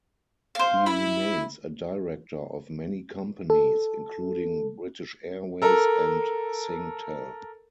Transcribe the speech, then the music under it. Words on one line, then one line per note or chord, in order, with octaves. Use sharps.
He remains a director of many companies, including British Airways and SingTel.
C5 F5
E4 B5
A4
A4 A#4